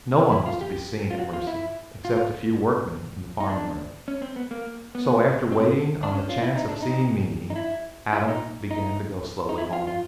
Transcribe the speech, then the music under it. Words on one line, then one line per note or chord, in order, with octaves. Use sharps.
No one was to be seen at Mercy except a few workmen in the farmyard, so, after waiting on the chance of seeing Mimi, Adam began to go slowly home.
E4
F4
G4
F4
F#4
F4
E4
F4
D#4
D4
C#4
C4
B3
A#3
B3
C4
D4
C#4
F4
E4
D#4
D4
D#4
D#4
E4
E4
D#4
D#4
D#4
E4
F4
F4